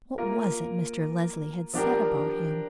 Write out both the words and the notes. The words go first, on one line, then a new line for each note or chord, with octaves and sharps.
What was it Mr. Leslie had said about him?
A#3 F4 A#4
F3 D4 G4 A#4